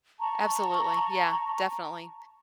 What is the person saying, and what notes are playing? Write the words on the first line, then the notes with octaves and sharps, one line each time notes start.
Absolutely, yeah, definitely.
A5 A#5 C#6